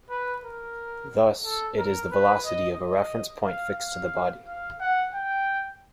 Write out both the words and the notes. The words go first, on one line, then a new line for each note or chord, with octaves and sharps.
Thus, it is the velocity of a reference point fixed to the body.
B4
A#4
A4
A#4
B4
D#5
D#5
F5
F5
F5
F#5
G5